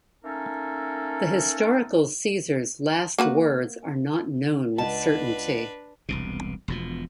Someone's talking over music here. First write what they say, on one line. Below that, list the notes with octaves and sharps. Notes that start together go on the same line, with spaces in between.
The historical Caesar's last words are not known with certainty.
A3 A#3 C#4 D#4 A4 A#4
A#3 F#4 B4
C#2 D4 B4 D#5 F#5 A5
E1 C2 B2
E1 B2 F3